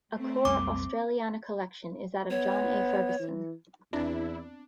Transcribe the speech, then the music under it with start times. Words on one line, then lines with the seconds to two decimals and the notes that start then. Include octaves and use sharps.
A core Australiana collection is that of John A. Ferguson.
0.14 A3 C4
0.45 B1 F2 G3 D6
2.30 B3 C#5
3.20 E3
3.93 E2 B3 C4 D4 E4